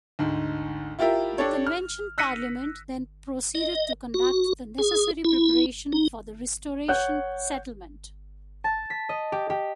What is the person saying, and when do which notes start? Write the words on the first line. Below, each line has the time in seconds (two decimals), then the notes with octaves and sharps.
The Convention Parliament then proceeded to conduct the necessary preparation for the Restoration Settlement.
0.19 D2 G#2
0.99 E4 F4 G4 A#4 E5
1.38 D4 G4 A4 C#5
1.67 F6
2.18 E6 F#6 A#6 B6 C#7 D#7
3.55 D#5
4.14 F#4
4.78 G#4
5.25 E4
5.92 D#4
6.88 C#5 F#5 F#6 G6
8.64 A5
8.90 B6
9.09 D#5
9.32 G4
9.50 G4